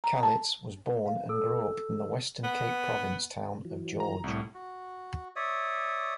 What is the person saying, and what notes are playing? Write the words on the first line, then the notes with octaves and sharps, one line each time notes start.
Calitz was born and grew up in the Western Cape Province town of George.
A#5
A5
F5
A4 E6
B3
E3 F#3
A#5
C2 A2
F#4
C#5 D5 E5 D#6